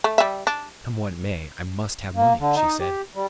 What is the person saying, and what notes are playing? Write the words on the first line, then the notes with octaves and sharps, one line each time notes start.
"Come what may, I MUST have money," she said.
A3
G3 E5
D4
A#3
D3
D#4
G4
G3